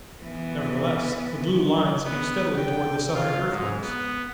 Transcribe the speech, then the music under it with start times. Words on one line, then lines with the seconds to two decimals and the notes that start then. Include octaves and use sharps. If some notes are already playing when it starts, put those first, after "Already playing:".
Nevertheless the blue lines came steadily toward the Southern earthworks.
0.21 E3 B3
2.03 B3
2.56 G5
3.14 F4
3.50 G#2
3.81 B3